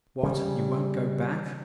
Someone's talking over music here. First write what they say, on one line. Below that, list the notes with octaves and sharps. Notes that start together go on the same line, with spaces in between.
"What! you won't go back?"
C#3 G3